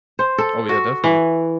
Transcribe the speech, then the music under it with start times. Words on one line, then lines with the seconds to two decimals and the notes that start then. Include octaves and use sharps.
Oh yeah, definitely.
0.19 C5
0.38 A4
0.69 F#4
1.04 E3